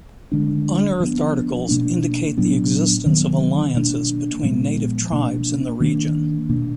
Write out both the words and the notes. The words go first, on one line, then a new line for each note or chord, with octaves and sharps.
Unearthed articles indicate the existence of alliances between native tribes in the region.
D3 G#3 D4
F3 B3 D4
B2 A#3 D4
A#2 F#3 B3 D4
D#3 F#3 B3
B2 A#3 D4
A#2 F3 G#3 B3
B2 A#3 D4
D#3 A#3 D4
B2 A#3 D4